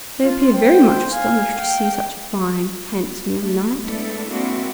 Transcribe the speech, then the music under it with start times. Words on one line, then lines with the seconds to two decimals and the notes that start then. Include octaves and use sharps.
They appeared very much astonished to see such a fine, handsome young knight.
0.22 F3 F4
0.54 C5 G5
1.12 F5 G#5
1.58 G5
3.41 A3
3.83 G#3 A3 B3 D4 E4 A4
4.30 G#3 A#3 C4 D4 E4 F#4